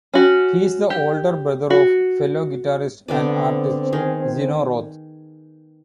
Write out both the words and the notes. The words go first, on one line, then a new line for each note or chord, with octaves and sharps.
He is the older brother of fellow guitarist and artist Zeno Roth.
C#4 F#4
G4
F#4
D3 B3 C4 D5
D#3 G#4